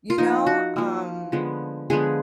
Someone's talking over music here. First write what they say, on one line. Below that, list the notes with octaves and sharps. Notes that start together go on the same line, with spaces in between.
you know? Um,
F4
F3 A#3 D#4
F#4
F3 A#3
D3 F3 G#3 B3
D3 F3 G#3 B3 G#4